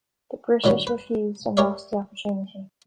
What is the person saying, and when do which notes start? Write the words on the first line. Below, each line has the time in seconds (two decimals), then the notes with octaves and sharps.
The British refused and lost the opportunity.
0.64 D3 D#3 F#3 G3 C#4
0.87 B4
1.57 G4 A#4 C#5 D5 E5